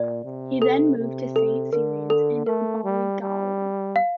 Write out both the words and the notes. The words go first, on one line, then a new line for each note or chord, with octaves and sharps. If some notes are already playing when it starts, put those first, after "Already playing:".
He then moved to Saint Ciaran's in Ballygawley.
Already playing: A#2 D5
C3
A4
C3
A4
D3 A#4
A4
A3 A#4
G3
G3
F5